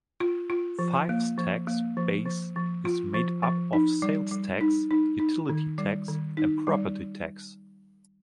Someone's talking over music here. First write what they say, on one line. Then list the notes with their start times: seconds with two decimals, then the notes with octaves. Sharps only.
Fife's tax base is made up of sales tax, utility tax, and property tax.
0.20 F4
0.50 F4
0.79 F3
1.09 A#3
1.38 F3
1.67 A#3
1.97 F3
2.26 F3
2.56 F3
2.85 F4
3.14 F3
3.43 F3
3.73 D#4
4.02 G3
4.32 G3
4.61 D#4
4.91 D#4
5.20 D#4
5.49 D#3
5.78 G3
6.08 D#3
6.37 D#4
6.67 G3